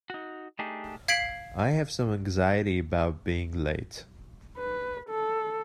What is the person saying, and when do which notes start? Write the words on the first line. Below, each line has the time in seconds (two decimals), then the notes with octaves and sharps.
I have some anxiety about being late.
0.10 D#4 F#4
0.59 A3 D4 D#4 G4 G#4
1.08 F5 G#6 B6 C7 D7 F#7
4.58 B4
5.10 A4